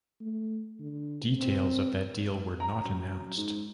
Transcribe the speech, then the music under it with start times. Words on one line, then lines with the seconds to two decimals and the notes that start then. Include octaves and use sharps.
Details of that deal were not announced.
0.21 A3
0.80 D3
1.37 C4
2.60 A#5
2.84 F#2
3.37 G#2